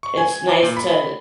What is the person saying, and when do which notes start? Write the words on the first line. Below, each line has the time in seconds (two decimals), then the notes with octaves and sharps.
It's nice to
0.03 C#6
0.17 G#5
0.49 D6
0.62 A#2
0.77 B5